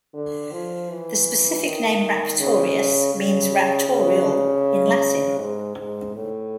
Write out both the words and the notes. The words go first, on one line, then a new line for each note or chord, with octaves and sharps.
The specific name "raptorius" means "raptorial" in Latin.
D3
F3
E3
D#3
C#3
C#3
C#3
G#2
G#2
A2